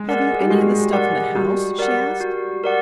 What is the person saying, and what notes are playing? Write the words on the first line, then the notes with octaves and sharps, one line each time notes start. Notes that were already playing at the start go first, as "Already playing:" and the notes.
"Have you any of the stuff in the house?" she asked.
Already playing: G#3
A#4 D5 F#5
G3
G#3 F#4
A#4 D5 F#5
G3 F#4
A#4 D5 F#5
F#4
A#4 D5 F#5